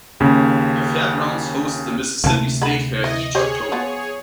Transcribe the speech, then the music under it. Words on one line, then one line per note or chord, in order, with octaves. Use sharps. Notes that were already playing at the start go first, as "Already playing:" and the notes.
The Fairgrounds hosts the Mississippi State Fair each October.
D#2 C#3
D2 C3 A3 A#3 A5
G#4 F#5 B5
E3 D#5
G4 G#4 C5 C#5 D#5
F3 B3 F#4